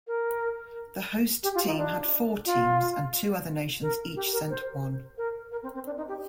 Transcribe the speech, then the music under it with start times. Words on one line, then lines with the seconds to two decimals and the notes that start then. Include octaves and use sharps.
The host team had four teams, and two other nations each sent one.
0.07 A#4
1.43 G4
1.55 F4
1.67 D#4
1.77 D4
2.46 F4
3.82 A#4
4.16 G4
4.33 A#4
4.50 C5
5.18 A#4
5.52 A#4
5.63 C4
5.74 C4
5.86 D4
5.97 D#4
6.08 G4